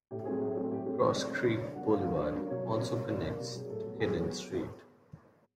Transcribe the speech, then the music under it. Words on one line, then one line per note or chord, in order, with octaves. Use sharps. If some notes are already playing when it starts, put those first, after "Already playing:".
Cross Creek Boulevard also connects to Kinnan Street.
A2 G4
F#3 A3 C4 G#4
A2
F#3 A3 C4
A2 G4
F#3 A3 C4 G4
A2 C#5
F#3 A3 C4 D5
D3 C#5
F#3 A#3 C#5
D3 D5
F#3 A#3 F#5
D3 F5
F#3 A#3
D3
F#3 A#3
B2 C#5
F#3 A#3 C#5
C5
B2 C#5
F#3 A#3
B2 D5
F#3 A#3 A#4
B2 G4
F#3 A#3 G#4
A2 A4
F#3 B3
A4
A2 G#4
F#3 B3